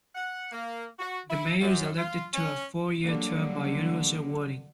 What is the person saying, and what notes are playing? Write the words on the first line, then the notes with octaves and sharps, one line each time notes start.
The mayor is elected to a four-year term by universal voting.
F#5
A#3
F#4
E4
F#2
F4
C#4
D3 F#3 G3 A#3